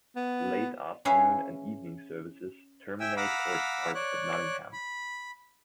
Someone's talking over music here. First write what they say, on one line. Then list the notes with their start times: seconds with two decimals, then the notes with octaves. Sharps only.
Late afternoon and evening services terminate or start at Nottingham.
0.16 B3
1.05 C#4 G#4 B4 C#5 E5 F5
3.00 E5 G5 G#5 E6
3.17 F5 F#5 A#5 B5 D6 E6
3.95 C#5 D5 F#6
4.73 B5